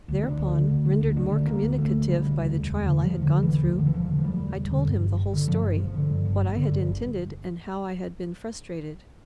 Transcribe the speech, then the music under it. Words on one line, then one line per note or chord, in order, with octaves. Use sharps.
Thereupon, rendered more communicative by the trial I had gone through, I told him the whole story, what I had intended and how I had been frustrated.
D2
D3 D4
D2
D3
D2
D3
D2
D3 D4
D2
D3 A#3
D2
D3 A3
D2
D3 G3
D2
D2
E1
E1
D3
D2 F3
E1
D3
E1
E3
D3
D2 F3
E1 D3
E3
E1 F3
D3
F3
D2 G3
E1
E1
D3
G2
G1
G1
D3
G2 F3
G1
G1 F3
D3
G2
G1
G1
D3
G2
G1